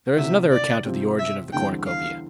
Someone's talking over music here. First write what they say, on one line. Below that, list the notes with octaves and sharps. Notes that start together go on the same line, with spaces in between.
There is another account of the origin of the Cornucopia.
D2 C3 E3 E5
D5
C3 F3 C4 G4
E5
E2 D3 G3 C4 G5
F5